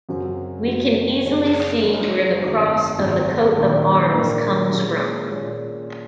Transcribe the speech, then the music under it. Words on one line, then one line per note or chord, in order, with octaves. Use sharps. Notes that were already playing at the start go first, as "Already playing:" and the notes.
We can easily see where the cross of the coat of arms comes from.
F#2 C#3 F#3 C4 F#4
F#2 C#3 F#3 C4 F#4
F#1 F#2 C#3 G#3 C#4
F#1 F#2 C#3 G#3 C#4
G#1 G#2 F#3
G#1 G#2 F#3
A#1 G#2 D#3 A#3
A#1 G#2 D#3 A#3
A#2 G#3 C#4
A#2 G#3 C#4